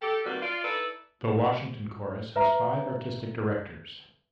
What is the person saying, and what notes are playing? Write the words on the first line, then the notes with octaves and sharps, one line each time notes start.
The Washington Chorus has had five artistic directors.
G4 A4
C3 D#3 G3 A#3 F#4 B4
F4 D5
D#4 E4 A4 B4 D5
B4 E5 A#5